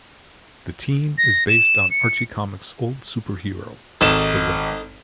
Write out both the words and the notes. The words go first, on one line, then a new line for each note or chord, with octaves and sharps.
The team is based on Archie Comics old superhero, The Web.
A#6
E7
C#7
G#1 D#4 A4 E7